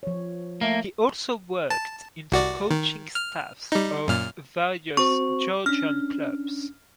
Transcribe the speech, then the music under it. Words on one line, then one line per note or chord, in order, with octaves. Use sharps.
He also worked in the coaching staffs of various Georgian clubs.
F3 C#5
A3 A#3
A5
C2 F#4 D5
D#3
F6
G3 D#4
F#2 A#2 F6
C4 F#4 C5 C#6
C#4 D4 F6